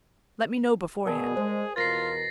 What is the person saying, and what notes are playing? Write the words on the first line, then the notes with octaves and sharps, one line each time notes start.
Let me know beforehand....
B2 G#4 A#4 D5 A5
G#3 C5
E2 B2 F4 A#4 A6 A#6 C7